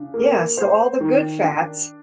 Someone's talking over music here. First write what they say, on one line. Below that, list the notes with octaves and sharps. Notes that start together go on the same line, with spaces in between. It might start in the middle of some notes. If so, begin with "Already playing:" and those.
Yeah. So, all the good fats
Already playing: C#3 D4
A#3
C5
D#3
D4